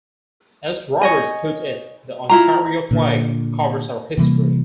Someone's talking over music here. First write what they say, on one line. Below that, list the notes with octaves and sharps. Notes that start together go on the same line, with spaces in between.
As Robarts put it, the Ontario flag covers our history.
C#5 D#5 G#5
E4 F4 A#5
A#2 D3
C3 E3 G3 A#3